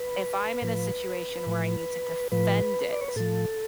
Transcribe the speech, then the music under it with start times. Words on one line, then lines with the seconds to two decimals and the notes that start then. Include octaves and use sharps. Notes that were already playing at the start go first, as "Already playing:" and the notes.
If I'm in a situation where I need to defend it,
Already playing: B4
0.62 A2 F3
1.46 A2 F3
2.32 A2 F3 B4
2.92 D5
3.01 C#5
3.08 B4
3.16 A2 F3 A4